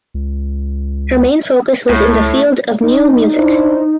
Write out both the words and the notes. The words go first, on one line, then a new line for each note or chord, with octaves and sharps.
Her main focus was in the field of Neue Musik.
C#2
C#2 A2
D#4
D4 E4 C5